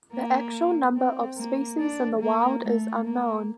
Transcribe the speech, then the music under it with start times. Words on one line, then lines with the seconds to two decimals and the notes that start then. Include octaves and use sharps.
The actual number of species in the wild is unknown.
0.13 A#3
0.95 C4
1.37 A#3
1.78 D4
2.19 A#3
2.61 A3
3.03 A#3